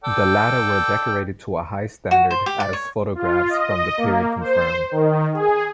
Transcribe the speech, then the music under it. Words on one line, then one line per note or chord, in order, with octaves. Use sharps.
The latter were decorated to a high standard, as photographs from the period confirm.
A4 D5 G5
F#4
C5
G4
D5
C#5
F4
D#5
A#3
C5
D#3
G#4